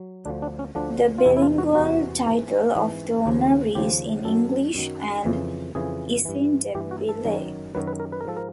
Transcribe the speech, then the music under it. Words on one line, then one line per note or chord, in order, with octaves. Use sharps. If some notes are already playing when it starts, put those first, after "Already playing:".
The bilingual title of the honour is in English and isiNdebele.
Already playing: F#3
D2 D3 F3 D4
D4
C#4
D2 D3 F3 D4
F4
E2 C3 E3 E4
E4
F4
F#4
E2 C3 E3 F#4
G#2 E3
G#2 E3
D#2 C#3 F3
D#2 C#3 F3 G4
F#2 D#3 F#3 A4
F#2 D#3 F#3
F2 C#3 E3
F2 C#3 E3 G#4
G2 E3
G2 E3 G4
F#4
A4
F#2 D#3 F#3
F#2 D#3 F#3 B4
B4
A#4
B4
A#4
G#2 F3 A4
A#4